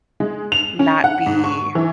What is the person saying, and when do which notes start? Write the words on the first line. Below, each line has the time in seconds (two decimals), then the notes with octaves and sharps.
not be
0.20 G#3
0.52 F7
0.79 C#4
1.04 F#5
1.26 G#2
1.44 C#6
1.75 E3